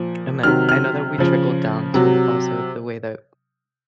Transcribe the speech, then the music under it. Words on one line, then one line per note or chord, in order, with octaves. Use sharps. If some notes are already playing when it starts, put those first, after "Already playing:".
And that I know that we trickled down to also the way that
Already playing: A#2 F3
C3 D#3 F#3 F6
F6
C#3 F3
C3 F#3